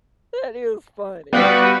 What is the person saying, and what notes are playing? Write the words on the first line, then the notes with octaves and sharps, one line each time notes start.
That is funny.
G3 B3 F#4 B4 D5 F5